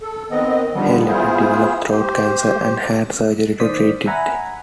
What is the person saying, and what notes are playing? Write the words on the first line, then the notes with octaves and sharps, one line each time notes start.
Hey later developed throat cancer, and had surgery to treat it.
A4
D#3 B3 C4 D#5
D3 D#3 F3 G3 B3
B3 E4 F4 G#4 C5
G4 C5
D#3 C5 D5 D#6 B6
E5 F#5 G#5 A#5 B5